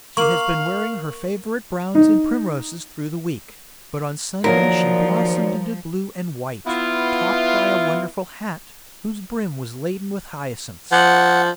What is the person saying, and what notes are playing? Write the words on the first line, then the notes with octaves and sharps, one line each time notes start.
She has been wearing her favourite browns and primroses through the week, but on Sunday she blossomed into blue and white, topped by a wonderful hat, whose brim was laden with hyacinths.
A#3 F5 C#6 F#7
D#4
D#3 F3 F#3 A#3 A#4 D5
B3 E4 F4
F3 F#5